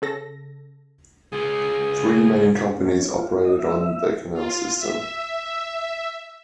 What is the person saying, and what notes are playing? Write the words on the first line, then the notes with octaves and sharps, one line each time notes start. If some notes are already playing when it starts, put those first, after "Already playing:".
Three main companies operated on the canal system.
C#3 A4 A#6
C#3 F4 G#4
C#4
F4
D#5
E5
F4
E5